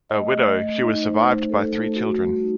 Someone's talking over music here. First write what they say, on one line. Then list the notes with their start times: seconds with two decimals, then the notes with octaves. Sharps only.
A widow, she was survived by three children.
0.10 A3 D#5
0.33 A3
0.57 A3
0.80 D#4
1.03 A3 C5
1.25 A3
1.49 A3 A4
1.72 A3
1.95 F#4
2.19 G3
2.42 D#4